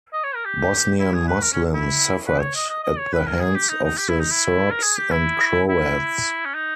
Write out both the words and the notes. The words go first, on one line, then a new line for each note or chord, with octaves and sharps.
Bosnian Muslims suffered at the hands of the Serbs and Croats.
D#5
C#5
A#4
G4
E4
G#4
B4
A#4
C#4
E4
B4
C#5
D#5
D#5
D#5
C#5
B4
A#4
G#4
G4
D#4
D#4
G4
E4
D#4
E4
A#4
G#4
G4
E4
E4
C#4
D#4